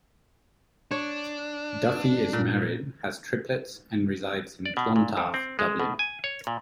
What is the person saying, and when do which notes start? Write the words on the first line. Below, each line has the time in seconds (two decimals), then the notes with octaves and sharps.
Duffy is married, has triplets and resides in Clontarf, Dublin.
0.91 D4 C#5
2.33 A#2
4.66 D5
4.77 B2
4.96 A#2
5.17 F2
5.34 C4
5.59 G#3
5.80 B2
5.99 G#5
6.24 C#5
6.47 A#2